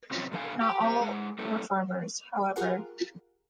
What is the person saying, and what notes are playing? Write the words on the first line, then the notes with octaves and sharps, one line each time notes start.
Not all were farmers, however.
C3 F#3 C4 C#4 F4 C#5
G2 A#2 D3 A4 F5 G#5
G4 G5
G4 C5
G#3 G#4 F#5
G3 A3 A#3 C#4 E4 A4
F4 G4 G#4 A#4 F5 F#5